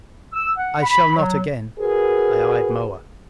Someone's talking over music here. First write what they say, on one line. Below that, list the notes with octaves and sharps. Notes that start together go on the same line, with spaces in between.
"I shall not again." I eyed Moa.
E6
F#5
B5
F#3
F#4 G#4 A#4 B4